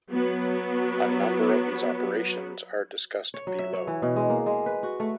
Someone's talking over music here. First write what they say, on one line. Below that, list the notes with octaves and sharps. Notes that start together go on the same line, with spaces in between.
A number of these operations are discussed below.
F#3 B3
C#5
F#3
E5
C#5
E3
B2
G#3
A#3
G#3
B4
F#4
A3